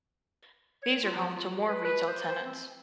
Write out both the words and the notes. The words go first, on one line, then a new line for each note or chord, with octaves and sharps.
These are home to more retail tenants.
C#5
F4
F3
F4
F#4
B4
B4
C5
C5
C4